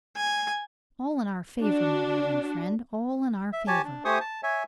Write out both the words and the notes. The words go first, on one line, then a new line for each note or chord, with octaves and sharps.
All in our favor, my reverend friend--all in our favor!
G#5
D4 F#4
E5
G4 C#5 G#5 A5
D4
A3 G4 C5 G#5 C#6 D#6
A5
C#5 E5 G#5